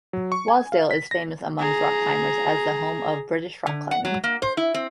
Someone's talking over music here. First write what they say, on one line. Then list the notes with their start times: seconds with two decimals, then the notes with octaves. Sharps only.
Wasdale is famous amongst rock climbers as the home of British rock climbing.
0.13 F#3
0.32 C#6
0.48 G#5
0.72 F5
0.91 B6
1.11 A#6
1.59 G#4 A#5
3.66 D3
3.91 F#5
4.05 F#3
4.24 A#3
4.42 C5
4.57 E4
4.74 C4